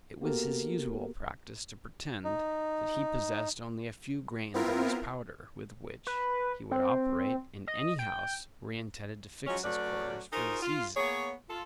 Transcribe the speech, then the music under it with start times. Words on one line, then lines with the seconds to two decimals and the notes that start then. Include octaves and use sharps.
It was his usual practice to pretend that he possessed only a few grains of his powder, with which he would operate in any house where he intended to fix his quarters for the season.
0.21 A#3 B3 F#4 G4 A4 A#4
2.25 D#4
4.54 B3 C4 E4 F4 A#4
6.07 B4
6.71 C4
7.67 D#5
7.99 G5
9.47 F3 F#3 G#3 C#4
9.64 F#3 A3 C#4 B4 D5
10.33 D#4 F4 F#4 G#4 A#4 C5
10.62 F4
10.97 A#3 B3 G#4 C#5
11.50 F4 A4